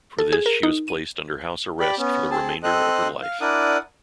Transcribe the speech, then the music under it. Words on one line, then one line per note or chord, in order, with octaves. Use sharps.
For this she was placed under house arrest for the remainder of her life.
A4
G#4
A#4
D#4
D#7
G4 D5 B5
B3 C#4
C4 G#4 A5
C4 A4 C5 D#5 F#6
F5
D4 E4 A#4 D5 F#5 D#6